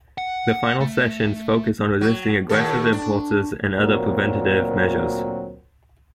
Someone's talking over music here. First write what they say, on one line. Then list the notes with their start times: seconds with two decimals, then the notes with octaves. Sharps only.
The final sessions focus on resisting aggressive impulses and other preventative measures.
0.18 F#5
0.81 A3
2.01 F#3
2.49 D#2 A2 A4
2.92 D4
3.76 D2 A#2 F#3 C4 A#4